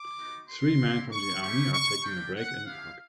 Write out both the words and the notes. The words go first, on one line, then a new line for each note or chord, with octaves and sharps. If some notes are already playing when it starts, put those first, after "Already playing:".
Three men from the army are taking a break in a park.
Already playing: D6
B3 D#4 F#4
C6
C4 E4 G4
C#6
A3 C#4 E4 G4 C#6
C#6
G3 A#3 D4 G4 G5
F#5
B3 E4 G4 F5